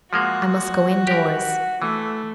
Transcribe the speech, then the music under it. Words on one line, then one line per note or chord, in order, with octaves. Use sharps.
I must go in-doors.
F3 G#3 A#3 F#4
G4 A#4
E3 A3